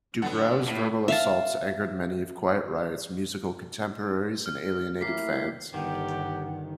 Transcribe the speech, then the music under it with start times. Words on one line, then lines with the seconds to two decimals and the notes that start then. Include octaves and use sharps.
DuBrow's verbal assaults angered many of Quiet Riot's musical contemporaries and alienated fans.
0.22 F#2 D3 B3 F#5 A6
0.68 A2
1.08 E5 F5 A5
4.46 F6
5.01 A2 A#3 G4 B6 C7
5.74 G1 D#3 G4 F#5